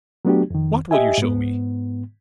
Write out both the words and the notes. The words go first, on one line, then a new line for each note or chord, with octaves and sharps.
What will you show me?'
F#3 A3 B3 D4 F#4 G4
F2 D#3
G4 D#5 E5 G#5
G#2 B3